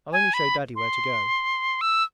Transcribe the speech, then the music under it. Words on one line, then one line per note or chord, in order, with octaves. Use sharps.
I'll only show Daddy where to go.'
G#5
B5
C6
E6